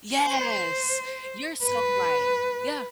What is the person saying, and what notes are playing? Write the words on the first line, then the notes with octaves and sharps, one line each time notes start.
Yes! You're so right. Yeah.
C5
B4